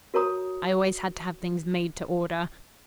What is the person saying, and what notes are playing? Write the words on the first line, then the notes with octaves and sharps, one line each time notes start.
"I always had to have things made to order."
F#4 A#4 C#5 A#5 D#6